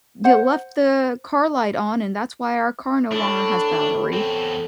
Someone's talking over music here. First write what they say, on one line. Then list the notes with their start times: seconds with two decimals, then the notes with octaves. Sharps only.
you left the car light on and that's why our car no longer has battery."
0.24 C5 F#5
3.11 A2 D4
4.13 E2 C4